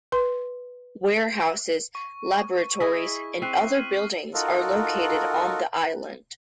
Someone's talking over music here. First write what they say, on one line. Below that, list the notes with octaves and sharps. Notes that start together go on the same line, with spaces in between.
Warehouses, laboratories, and other buildings are located on the island.
B4 C6
C#6
E4 G#4 D#5 B6
C4 F#6 C7 D#7
F6 D#7 F#7
D#4 F4 F#4 A4 A#4